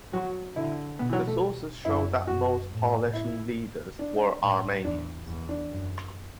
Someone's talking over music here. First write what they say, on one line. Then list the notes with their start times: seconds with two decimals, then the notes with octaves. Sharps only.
The sources show that most Paulician leaders were Armenians.
0.13 F#3 F#4
0.56 D3 E4
0.99 B2 B3
1.09 E3
1.13 F#3
1.27 A3
1.85 F#2 E4
2.27 F#2 F#4
2.70 A2
3.13 E4
3.99 D4
4.42 A2
4.85 E2 D4
5.27 E2
5.49 D4
5.71 F#2